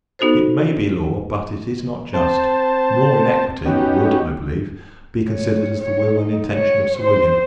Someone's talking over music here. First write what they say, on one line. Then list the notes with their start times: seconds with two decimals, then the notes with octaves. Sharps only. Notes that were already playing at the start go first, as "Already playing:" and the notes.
It may be law, but it is not just; nor in equity would, I believe, be considered as the will and intention of Sir William.
0.19 B3 D#4 F#4 A4 C5
2.14 C4 C5 A5
3.65 B3 C#4 D#4 F#4 G4
5.29 C#5
5.80 C#5
6.19 D#4
6.53 C#5
7.00 C5